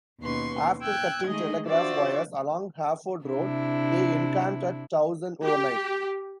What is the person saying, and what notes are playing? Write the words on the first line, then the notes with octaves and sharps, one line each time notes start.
After cutting telegraph wires along Harford Road, they encamped at Towson overnight.
D#2 B2 C#4 B4 C6 C#6
G5 E6 F#6 G#6
D#3 G#3 A3 G#4 D#5
D4 F4 F#4 C5 D5 E5
C3 D4 E4
G4